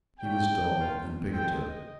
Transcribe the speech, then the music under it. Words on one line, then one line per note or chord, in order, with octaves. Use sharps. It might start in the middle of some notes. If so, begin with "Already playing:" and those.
He was dull and bigoted.
C3 G3 C#4 F4 G5
C3 D#3 A#3 C#4 F4
A#2 G#3 C4 D#4 G5
D#5